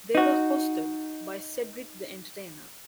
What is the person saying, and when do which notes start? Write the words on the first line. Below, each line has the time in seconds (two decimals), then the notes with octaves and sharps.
They were hosted by Cedric the Entertainer.
0.15 D#4 F#4